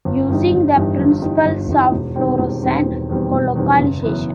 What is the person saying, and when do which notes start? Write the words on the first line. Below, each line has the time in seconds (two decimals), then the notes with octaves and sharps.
Using the principles of fluorescent colocalization.
0.05 G1
0.28 G2 E3 G3 D#4
0.52 G1
0.75 G2 E3 G3 D#4
0.99 G1
1.22 G2 E3 G3 D#4
1.46 G1
1.69 G2 E3 G3 D#4
1.92 E1
2.16 E2 D#3 G3 C4
2.39 E1
2.62 E2 D#3 G3 C4
2.86 E1
3.09 E2 D#3 G3 C4
3.33 E1
3.56 E2 D#3 G3 C4
3.80 F#1
4.03 F#2 E3 B3